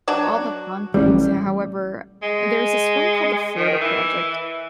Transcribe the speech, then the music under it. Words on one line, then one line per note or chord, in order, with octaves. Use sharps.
All the fun things, h however, there's this film called The Florida Project,
F#3 D4 F#4
A1 G3
G#3
D#3
E3